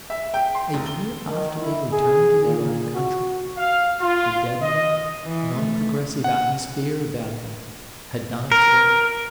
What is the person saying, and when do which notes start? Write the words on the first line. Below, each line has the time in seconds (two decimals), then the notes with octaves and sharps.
A year after their return to their own country, the deadening, non-progressive atmosphere about them had done its work.
0.10 E5
0.34 G5
0.55 C6
0.74 F1
0.86 G7
1.28 D#3
1.61 E4
1.92 G#4
2.44 A#2
2.94 F#4
3.57 F5
4.00 F4
4.61 D#5
5.24 E3
5.55 A3
6.24 F#5
8.52 A#4